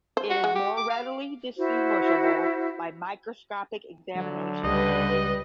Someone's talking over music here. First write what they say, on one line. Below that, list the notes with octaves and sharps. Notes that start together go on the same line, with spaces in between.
It is more readily distinguishable by microscopic examination.
C5
F#4
G#3
G4
D6
F5
E4 F#4 C5
D3 F#3
C#2 G3 B4 D#5